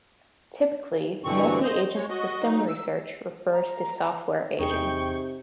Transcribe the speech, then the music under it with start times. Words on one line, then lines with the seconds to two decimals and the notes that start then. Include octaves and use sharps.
Typically multi-agent systems research refers to software agents.
1.24 G2 B2 D3 E3 C4 C#6
1.63 C5 D#5
1.96 G#3 C#5
2.10 F#4 D#5
2.43 F#3 D#4
2.68 E6
3.53 A#5
4.59 E2 C3 D#4 G#4 G5 C#6 G6